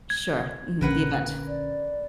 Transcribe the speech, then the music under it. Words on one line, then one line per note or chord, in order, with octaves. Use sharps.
Sure, mhm, the event.
G#6
A#1 D3 C#4 A#4 B4 F#5
D5